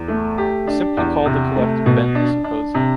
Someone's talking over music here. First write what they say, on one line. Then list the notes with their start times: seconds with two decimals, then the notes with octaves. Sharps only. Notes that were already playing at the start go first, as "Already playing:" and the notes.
We simply call the collective bender symposium.
Already playing: E2
0.08 A3
0.38 G4
0.67 D4
0.97 E2
1.26 C3
1.56 A3
1.86 B2
2.15 D4
2.44 D4
2.75 C3